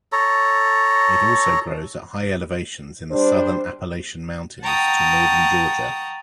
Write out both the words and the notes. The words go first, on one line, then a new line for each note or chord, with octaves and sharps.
It also grows at high elevations in the southern Appalachian Mountains to northern Georgia.
A4 C#5 A#5
G3 D4 C5
F#5 G5 A5 A#5 C#6 D#6